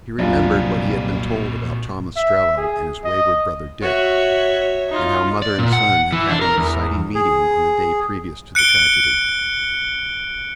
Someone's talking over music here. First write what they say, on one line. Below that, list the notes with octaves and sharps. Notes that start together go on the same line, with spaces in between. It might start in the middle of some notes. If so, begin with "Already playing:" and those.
He remembered what he had been told about Tom Ostrello and his wayward brother Dick, and how mother and son had had an exciting meeting on the day previous to the tragedy.
F1 C2 F#2 A#2 G3 D4 F4 B4
E5
G#4
D#5
F#4 C#5 E5
D#4 F4
D5
A#2
F#5
E3
D4
A#4
E2
G#4
F#6 C#7 D7 G7